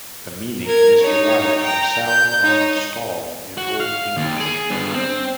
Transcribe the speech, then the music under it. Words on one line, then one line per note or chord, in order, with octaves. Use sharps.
The meaning is derived from Sal-ton-stall in Old English.
A#4 G#6
D#4 C#5
G5 A#5
G6
D#4 C#5
F#4 F#5
F5
D#2
G#4
G2 B3
C4